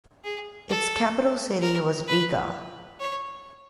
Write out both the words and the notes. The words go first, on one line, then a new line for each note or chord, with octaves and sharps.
Its capital city was Riga.
G#4
A4
A#4
B4
C#5